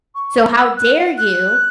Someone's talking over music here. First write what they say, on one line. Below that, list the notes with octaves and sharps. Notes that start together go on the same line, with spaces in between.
So how dare you?"
C#6
E6
F#6
F#5
F#6